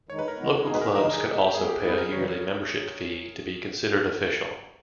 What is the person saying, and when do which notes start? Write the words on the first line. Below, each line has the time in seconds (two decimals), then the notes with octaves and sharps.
Local clubs could also pay a yearly membership fee to be considered official.
0.09 D#3 G#3 D#4 C#5
0.19 B4
0.28 A#4
0.38 D#2 C#3 E3 G#3 B3
0.67 B2 G#3 B3 D#4 G#4
0.75 B4
0.81 A#4
0.95 E2 C#3 E3 G#3 D#4 A#4
1.11 G#4
1.25 C#3 G#3 B3 G4
1.54 G#2 G3 B3 G#4
1.69 G4
1.82 G#2 G3 B3 E4 G#4
1.98 A#4
2.12 C#3 E3 G3 C#5